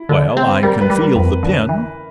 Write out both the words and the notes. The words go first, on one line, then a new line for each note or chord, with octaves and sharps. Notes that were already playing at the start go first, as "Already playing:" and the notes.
"Well, I can feel the pin."
Already playing: E4
D3
C4
G3 A#4
B4
G3
A#4
F2
D3
E3